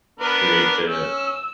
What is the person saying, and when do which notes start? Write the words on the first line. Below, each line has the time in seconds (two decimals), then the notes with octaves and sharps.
create the
0.20 B3 D4 A#4 B4
0.88 C#4 E6